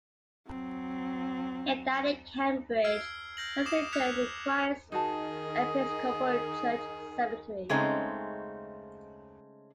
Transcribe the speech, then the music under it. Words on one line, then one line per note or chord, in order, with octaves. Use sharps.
He died in Cambridge, and is interred in Christ Episcopal Church Cemetery.
F#3 C4
E6 F6 G#6 C7 D7
F6 G6 A#6 F#7
D6 D#6 C7 E7
F6 F#6 G#6 B6 C#7 F7
D#3 D#4 F#4 G#4 D#5 A5
C#3 G#3 A3 C4 C#4 D#4